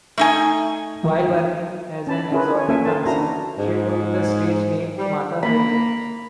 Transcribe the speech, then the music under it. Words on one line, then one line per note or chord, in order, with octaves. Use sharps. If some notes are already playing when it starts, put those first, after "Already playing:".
While working as an exotic dancer, she took the stage name Mata Hari.
A3 D#4 G#5
C#4 A5 B5
C#4 E4 F4 G#4 A#4 B4
C#5 G#5
A#3 C#4 A4 E5 F5 G#5
A4 A#4 C5 A5
D4 E4 F#4 A#5
G#2
G3
A#3 B5